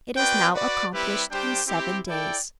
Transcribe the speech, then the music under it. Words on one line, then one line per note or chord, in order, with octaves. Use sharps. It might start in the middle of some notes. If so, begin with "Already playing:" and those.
It is now accomplished in seven days.
C4 F#4 B4 D5 G5
F#4 B4 D5
G3 C4 E4 G4 B4
G3 D4 G4 C5 G5
C4 E4 G4
E4 A4 D5 G5